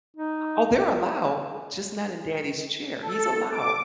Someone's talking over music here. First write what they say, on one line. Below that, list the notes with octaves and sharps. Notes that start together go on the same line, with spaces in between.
Oh, they're allowed, just not in daddy's chair, he's allowed.
D#4
A4
D6